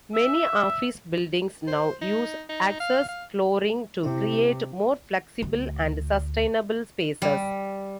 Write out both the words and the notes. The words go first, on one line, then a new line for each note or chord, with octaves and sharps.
Many office buildings now use access flooring to create more flexible and sustainable spaces.
E5
C5
D#4
D#4
F5
F5
C3 E4 E5
D2
G3